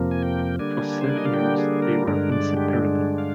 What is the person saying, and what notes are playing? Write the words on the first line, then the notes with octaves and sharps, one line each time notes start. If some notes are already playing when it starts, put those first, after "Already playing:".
For seven years they were inseparable.
Already playing: F2 C3 F3 A#3
G#5
G5
D3 G3 A#3 D4 G#5
C5
D5
D#5
F5
G5
G#4
A#4
G2 D3 G#3 D4 A#4
D5
G4
F5